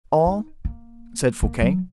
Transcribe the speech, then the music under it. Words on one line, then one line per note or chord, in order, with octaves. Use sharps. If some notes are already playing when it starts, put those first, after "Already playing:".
"All?" said Fouquet.
D#4
A#3
A#3
F#3